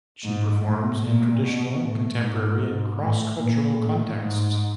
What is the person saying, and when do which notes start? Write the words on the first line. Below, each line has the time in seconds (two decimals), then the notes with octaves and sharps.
She performs in traditional, contemporary, and cross-cultural contexts.
0.25 G#2
0.65 A2
1.04 A#2
1.42 B2
1.82 A2
2.22 G#2
2.61 G#2
3.00 A2
3.39 A#2
3.79 A2
4.18 G#2